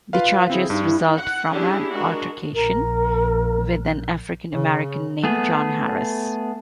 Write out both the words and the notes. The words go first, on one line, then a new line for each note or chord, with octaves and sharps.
The charges result from an altercation with an African American named John Harris.
F4 B4 F5
D3 C4 E4 G#4
G2 D#4
E4
F#5
C#4 D4 E4 G4 G#4
G#3 D4 F#4 A#4
A#1 A#4
C#3
A3 B3 G#4